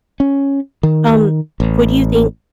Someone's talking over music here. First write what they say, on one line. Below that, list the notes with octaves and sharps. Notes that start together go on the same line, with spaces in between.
Um, what do you think,
C#4
D#3
A1